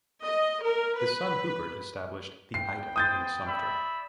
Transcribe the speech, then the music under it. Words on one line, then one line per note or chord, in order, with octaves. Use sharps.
His son Hubert established "The Item" in Sumter.
D#5
A#4
B4
B3 G5 C7
C5 D#6 G6 A6
D5 E5 B5